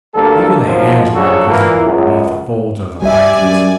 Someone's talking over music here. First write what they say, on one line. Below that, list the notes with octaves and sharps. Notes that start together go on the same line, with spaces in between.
Even the hands were invisible beneath the folds of the blankets.
D2 G2 G3 A#3 A4
G#1 F#2 D#3 F3
A#1 C#3 F#3 G3 F#4 A4
A#2 E3 A#3
C#2 F#2
G3 G4 D5 E5 G#5
F#2